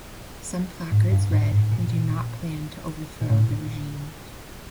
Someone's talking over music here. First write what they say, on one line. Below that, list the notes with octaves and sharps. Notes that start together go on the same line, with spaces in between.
Some placards read "we do not plan to overthrow the regime".
G#2
G2
G#2
G#2
A#2
A#2
A2